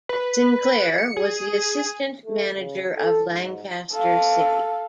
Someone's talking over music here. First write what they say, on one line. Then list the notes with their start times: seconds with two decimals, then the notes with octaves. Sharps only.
Sinclair was the assistant manager of Lancaster City.
0.09 B4
0.98 C#7
1.17 G#4
2.24 A3
2.56 C#3
2.93 A4
3.28 G#2
3.92 A4 F5